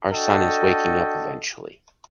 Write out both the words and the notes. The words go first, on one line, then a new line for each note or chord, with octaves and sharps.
Our son is waking up eventually.
D4 F#4 A4 D#5 G5